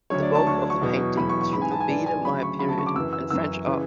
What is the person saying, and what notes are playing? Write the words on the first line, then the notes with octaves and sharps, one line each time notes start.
The bulk of the painting is from the Biedermeier period and French art.
D2 D3 F#3 C#5
D5
A5
D2 D3 F#3 C#6
C#6
E2 B2 F#3
E2 B2 F#3 B5
C#6
C#6
G#2 E3 B5
G#5
A5
G#5
G#2 E3 D5
G#5
D2 C#3 F#3 B5
C#6
D2 C#3 F#3 B5
A5
C#6
D6
F#2 E3 E6
E6
F#2 E3 E6
C#3 E3